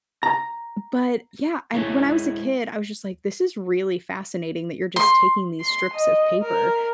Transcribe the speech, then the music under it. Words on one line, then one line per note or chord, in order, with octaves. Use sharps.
but yeah, and when I was a kid, I was just like, "This is really fascinating that you're just taking these strips of paper."
A#5
G#3 E4 G#4 C#5
C6
C6
D#5
A#4